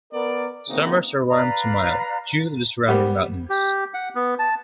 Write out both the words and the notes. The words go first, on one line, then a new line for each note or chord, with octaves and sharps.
Summers are warm to mild, due to the surrounding mountains.
B3 A#4 D5
C#3 E3 A#3 C4 D#4 F#4
B4 D5 F5 A#5
G3 B3 G4 A#4 C5
G4
F#5
B3
A5